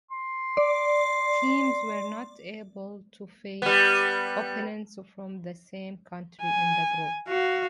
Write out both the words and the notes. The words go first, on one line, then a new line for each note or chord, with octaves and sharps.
Teams were not able to face opponents from the same country in the group.
C6
D5
G3 B3
G#5
F#4 F5